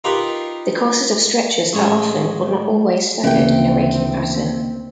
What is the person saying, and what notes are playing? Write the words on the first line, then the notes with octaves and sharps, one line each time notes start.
The courses of stretchers are often but not always staggered in a raking pattern.
D#4 F4 G4 A#4 B4
A1 G#3 C#5 G#5
D2 C#3 E3 A#3 C4 G5